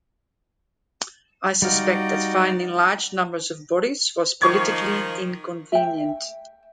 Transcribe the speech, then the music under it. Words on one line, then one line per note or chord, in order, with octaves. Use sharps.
I suspect that finding large numbers of bodies was politically inconvenient.
G3 D#4 F#4 D5 F5
D#3 F3 C#6 G#6
E5 G5